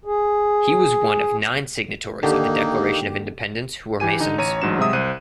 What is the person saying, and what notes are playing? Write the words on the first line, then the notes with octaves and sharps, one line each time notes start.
He was one of nine signatories of the Declaration of Independence who were masons.
G#4
D#2 D3 A#3 D#4 G4
E3 G4 G#5 D#7
D3 D#4
A1 C#5 A#5 D#7
A1 G#2 F#3 D4 E7
C3 F#3 G#3 E5 D#6
C2 C5 F#6 D#7